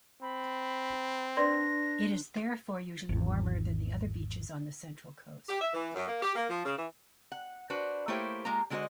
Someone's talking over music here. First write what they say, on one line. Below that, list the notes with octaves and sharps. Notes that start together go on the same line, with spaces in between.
It is therefore usually warmer than the other beaches on the Central Coast.
C4 B5
D4 B4 D5 C6 A#6
G#1 E2
G4
E5
E3
F#2
A#3
G4
A#3
F3
C#3
E3
F#5
D4 F#4 B4 C5
A3 A#3 E4 G4 C5 C#5
G#3 A#3 F4 A#4 A#5
D3 G#3 D4 F#4 C5 D#5